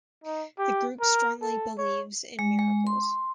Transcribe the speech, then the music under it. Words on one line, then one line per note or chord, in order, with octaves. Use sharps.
The group strongly believes in miracles.
D#4
G4
A#4
A4
C#5
G#3
G#3
C6